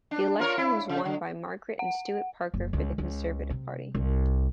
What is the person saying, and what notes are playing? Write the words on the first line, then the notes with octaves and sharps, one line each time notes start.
The election was won by Margaret and Stuart Parker for the Conservative Party.
D4
F4 A#4 C#5
E4
C#3
D3
F#5
F#1
C#2
C#2
C3
C2